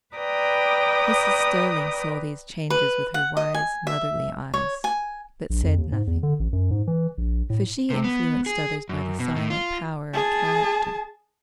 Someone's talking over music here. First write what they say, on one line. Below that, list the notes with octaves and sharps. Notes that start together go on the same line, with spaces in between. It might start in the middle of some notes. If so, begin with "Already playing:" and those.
Mrs. Sterling saw these changes with her wise, motherly eyes, but said nothing; for she influenced others by the silent power of character.
B4 D5 G5 A#5 D#6
B4
F#5
D#5
G#5
E5
C#5
G#5
A#1
F2
D#2
G#2
E2
D3
A1
F#2
G#2
E3
A#1
A2
C3
B3
G#4
F#2
B2
A2
F4
G#4 A5